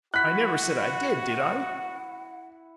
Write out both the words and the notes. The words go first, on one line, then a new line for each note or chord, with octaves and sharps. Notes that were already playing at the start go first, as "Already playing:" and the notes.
I never said I did, did I?
E4 F#4 F#5 F#6 B6